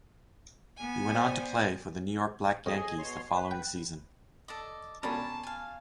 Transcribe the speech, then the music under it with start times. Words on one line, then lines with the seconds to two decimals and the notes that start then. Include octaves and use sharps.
He went on to play for the New York Black Yankees the following season.
0.76 B3 G#5
1.14 C5 D5 G5
2.66 F2 G#4 D#5 G#5
2.99 B2 C#5 C6
3.35 B4
3.51 G5
4.48 A4 D5 D#5
5.03 B2 C#4 D4 A#4 A5 B5
5.43 F5 G#5